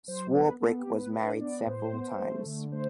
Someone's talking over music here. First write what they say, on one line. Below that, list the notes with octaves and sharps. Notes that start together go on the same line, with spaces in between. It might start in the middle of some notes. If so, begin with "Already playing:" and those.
Swarbrick was married several times.
F#3 C5
B3 B4
B3 A4
G4
B3
B4
D4 B4
B3 D5
A2 C5
B3
A3
D3
A3 C5